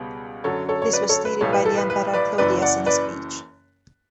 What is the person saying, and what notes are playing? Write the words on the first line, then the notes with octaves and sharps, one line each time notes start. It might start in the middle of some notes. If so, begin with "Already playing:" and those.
This was stated by the Emperor Claudius in a speech.
Already playing: C#2 B2 G3 B3
F#2 D3 F#3 A4 C#5
A4 C#5
C#5
B4 D5
A4 C#5
B4
B1 A2 E3 G3 B3 A4 C#5
B4
A4
B4
B4
B4 D5
F#1 F#2 E3 B4 D5
D5 F#5
B4 D5